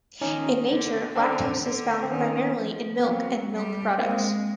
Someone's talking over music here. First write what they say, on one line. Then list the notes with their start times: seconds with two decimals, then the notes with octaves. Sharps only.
In nature, lactose is found primarily in milk and milk products.
0.21 D#3 C#4 D#4
0.69 D3
1.15 D3 C4 D4
1.62 D3
2.03 C4
2.10 D#3 B3 C#4
2.57 F3
3.00 B3
3.04 F#3 A#3 C4
3.52 G3
3.98 G#3 A#3 C4